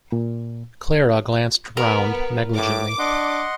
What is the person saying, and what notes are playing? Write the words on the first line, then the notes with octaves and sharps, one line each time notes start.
Clara glanced round negligently.
A#2
B3 A#4
A2 D6
D4 D#5 F#5 C6